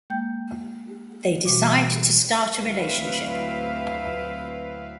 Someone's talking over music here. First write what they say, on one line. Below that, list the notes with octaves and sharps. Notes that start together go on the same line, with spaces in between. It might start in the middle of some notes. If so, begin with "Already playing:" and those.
They decide to start a relationship.
G#3 A#3 G5 G6
B2 E3 G3 F#4 D6
D2 F#3 C4 E4 B4 F5